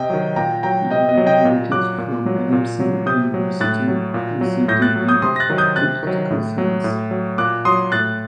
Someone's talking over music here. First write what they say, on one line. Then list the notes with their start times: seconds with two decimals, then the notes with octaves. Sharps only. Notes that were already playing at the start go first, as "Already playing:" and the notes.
He graduated from Adamson University with the degree of Political Science.
Already playing: C3 D#5 G5
0.10 D#3 F#3
0.36 A#2 G5 A#5
0.63 F#3 G5 A#5
0.91 C3 D#5 G5
1.09 D#5
1.17 F#3
1.26 D#5 G5
1.45 A#2
1.72 F#3 D6 F#6
1.98 A#2
2.26 F#3
2.53 A#2
2.80 F#3
3.06 C3 D#6 G6
3.34 F#3
3.60 A2 F#6 A6
3.88 F#3
4.14 A#2
4.41 F#3
4.68 A2 G6 A#6
4.82 F#6 A6
4.96 F#3
5.09 D#6 G6
5.22 C3 C6 D#6
5.36 A#6
5.40 F#6 A6
5.50 D#3 F#3
5.58 D#6 G6
5.76 C3 F#6 A6
6.03 D#3 F#3
6.30 A2
6.58 F#3
6.84 A2
7.11 F#3
7.38 A#2 D6 F#6
7.65 F#3 C6 D#6
7.92 A2 F#6 A6